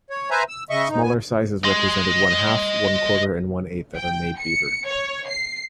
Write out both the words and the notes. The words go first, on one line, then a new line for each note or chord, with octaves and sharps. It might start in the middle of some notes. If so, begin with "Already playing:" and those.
Smaller sizes represented one-half, one-quarter, and one-eighth of a Made-Beaver.
C#5
B4 C5 E5 G#5 A#5
E6
C#3 D#5 E5 C#6
G#2 D#4
B3 G#5
D#5 C6
G5
C#7
C#5
C7